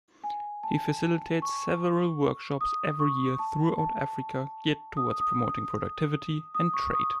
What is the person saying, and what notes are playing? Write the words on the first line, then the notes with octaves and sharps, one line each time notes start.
He facilitates several workshops every year throughout Africa geared towards promoting productivity and trade.
G#5
A5
C#6
D#6
C#6
A5
A5
D#6
D#6
D#6
C#6
D#6